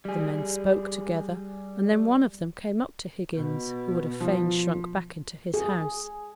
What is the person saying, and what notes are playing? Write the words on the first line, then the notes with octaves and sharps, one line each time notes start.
The men spoke together, and then one of them came up to Higgins, who would have fain shrunk back into his house.
G3 G#4
B2
F3
G#4